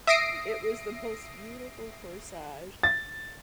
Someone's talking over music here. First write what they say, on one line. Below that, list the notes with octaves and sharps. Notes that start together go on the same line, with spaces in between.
it was the most beautiful corsage,
E5 D#6 A#6 C7 D7
A6